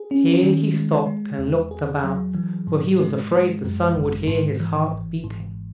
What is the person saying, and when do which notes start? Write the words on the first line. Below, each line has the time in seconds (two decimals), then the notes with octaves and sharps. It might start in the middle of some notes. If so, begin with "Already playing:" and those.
Here he stopped and looked about, for he was afraid the Sun would hear his heart beating.
Already playing: G#4
0.11 C#4
0.43 D#3
0.74 G#3
1.06 G#3
1.38 E2
1.71 G#4
2.04 F#3
2.35 E3
2.67 G#2
3.00 G#3
3.31 G#3
3.64 F#2
3.96 G#1
4.27 G#2
4.60 E3
4.92 G#1
5.24 G#2